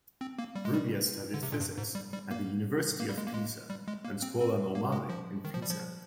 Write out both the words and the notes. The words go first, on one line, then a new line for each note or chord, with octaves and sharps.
Rubbia studied physics at the University of Pisa and Scuola Normale in Pisa.
C4
A#3
G3
G#3
G3
D3
C3
A#2
G2
G#2
G3
G3
A#3
A#3
G3
G#3
A#3
G#3
G3
G#3
A#3
C4
C4
A#3
G#3
F3
D#3
F3
G3
F3